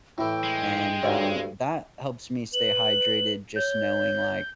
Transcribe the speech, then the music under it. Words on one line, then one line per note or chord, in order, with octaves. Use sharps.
and, um, that helps me stay hydrated, just knowing, like,
A2 E3 E4 G5
G#3
D2 G2 C#5 D5 F5
B4 F#7
C#5 G6